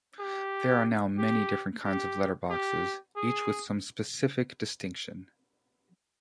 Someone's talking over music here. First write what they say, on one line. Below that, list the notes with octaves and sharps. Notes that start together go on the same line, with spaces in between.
There are now many different kinds of letterboxes, each with some specific distinction.
G4
G4
G4
G4
G#4